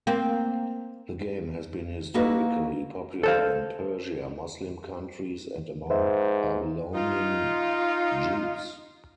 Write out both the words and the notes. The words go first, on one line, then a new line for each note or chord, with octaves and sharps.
The game has been historically popular in Persia, Muslim countries, and among Babylonian Jews.
A#3 C4
A#3 D#4 E4 F#4 A4 B4
A4 C5 F5
G#2 B4 C5 E5
D#4 F4